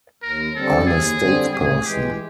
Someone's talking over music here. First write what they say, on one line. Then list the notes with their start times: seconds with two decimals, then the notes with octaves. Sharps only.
I'm a statesperson.
0.23 D#2 A#4
0.56 D3 G3 C4 A4
0.87 D#2 G#4
1.21 D3 G3 C4
1.53 A2 G#4
1.86 E3 G#3 G4